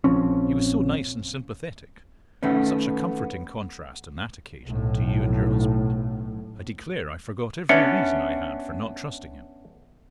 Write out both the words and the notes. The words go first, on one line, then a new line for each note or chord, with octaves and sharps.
He was so nice and sympathetic--such a comforting contrast, on that occasion, to you and your husband--I declare I forgot every reason I had for not trusting him.
A#1 F3 C4 C#4
D#3 A3 B3 C#4
B1 A2
B3 C#4 D4 E5 C#7